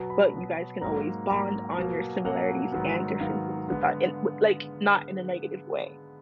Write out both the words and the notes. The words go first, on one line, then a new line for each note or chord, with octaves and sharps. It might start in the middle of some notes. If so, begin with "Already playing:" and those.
but you guys can always bond on your similarities and differences without an what like, not in a negative way.
Already playing: B2 F#3 B3 A#5
B5
B2 F#3 B3
G#2 F#3 A#3 A#5
G#2 F#3 A#3 A#5
B2 F#3 A#3
B2 F#3 A#3 F#5
G#2 D#3 F#3 B3
G#2 D#3 F#3 B3 F5
D3 G#3 B3